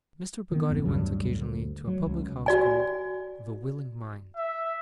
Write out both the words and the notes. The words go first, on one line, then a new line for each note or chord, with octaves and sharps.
Mr. Peggotty went occasionally to a public-house called The Willing Mind.
D#3 B3
G#1 F2
D2 G2 F#3
D2
F#3
C#2
F#4 D5 G#5
E5